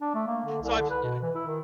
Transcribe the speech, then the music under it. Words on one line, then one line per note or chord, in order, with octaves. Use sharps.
So I've yeah.
D4
A3
A#3
D3
C2
D3
B4
B2
E3
E4
D#3